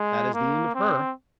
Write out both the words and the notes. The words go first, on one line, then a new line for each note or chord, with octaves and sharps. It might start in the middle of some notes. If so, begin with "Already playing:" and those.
That is the end of her.
Already playing: G#3
A#3
C4